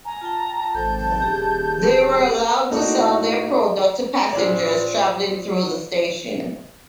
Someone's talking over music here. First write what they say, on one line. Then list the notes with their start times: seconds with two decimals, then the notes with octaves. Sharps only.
They were allowed to sell their product to passengers travelling through the station.
0.05 G#5 A#5
0.21 F4 G5 A5
0.74 G#1 A4 C5 G5 G6
1.22 D#1 G4 G#4
2.71 A2 A#3 D#4 F#4 A4 D5
4.33 F4 C5 D5